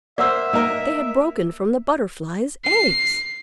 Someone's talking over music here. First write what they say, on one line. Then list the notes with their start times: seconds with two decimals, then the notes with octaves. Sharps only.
They had broken from the Butterfly's eggs!
0.18 A#3 C5 D5 E5 F#5 E6
0.53 A#3 D#4 A#4 D#5
2.64 C7